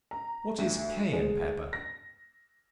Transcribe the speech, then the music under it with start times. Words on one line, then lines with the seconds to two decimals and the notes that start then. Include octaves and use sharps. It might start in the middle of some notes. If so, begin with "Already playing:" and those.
What is Cayenne Pepper?
0.11 A#5
0.58 D2
1.13 G#3
1.73 A#6